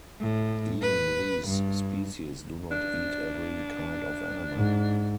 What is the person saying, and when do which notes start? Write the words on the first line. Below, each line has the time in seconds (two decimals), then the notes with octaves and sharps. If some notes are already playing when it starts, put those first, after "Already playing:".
Even these species do not eat every kind of animal.
0.21 A2
0.82 B4
1.47 G2
2.71 D4
4.56 G#2